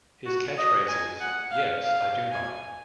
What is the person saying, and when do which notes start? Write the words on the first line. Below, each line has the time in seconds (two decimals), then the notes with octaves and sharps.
His catchphrase is Yes, I do mind!
0.26 F#4
0.58 D#5
0.88 G#5
1.20 F#5
1.51 F5
1.84 F5
2.31 G#5